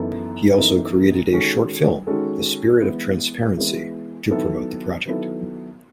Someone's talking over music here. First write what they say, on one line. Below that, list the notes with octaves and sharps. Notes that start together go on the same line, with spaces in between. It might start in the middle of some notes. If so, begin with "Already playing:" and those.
He also created a short film, "The Spirit of Transparency", to promote the project.
Already playing: F#2 E3 B3 D#4 A4
F#2 E3 B3 D#4 A4
D#3 G#3 C#4 F#4 A4
D#3 G#3 C#4 F#4 A4
E3 G#3 B3
E3 G#3 B3
D#3 F#3 B3 E4 A4
D#3 F#3 B3 E4 A4